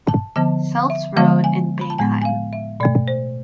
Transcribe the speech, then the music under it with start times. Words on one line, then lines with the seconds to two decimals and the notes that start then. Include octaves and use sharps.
Seltz road in Beinheim.
0.09 A5
0.36 D3 F3 B3 A5
0.90 E5
1.16 D3 F3 G#3 B3 F5
1.44 G#5
1.81 B5
1.90 A5
1.98 A2 G#3 B3 G#5
2.22 G#5
2.25 F5
2.53 E5
2.80 B2 A3 D5
3.08 C5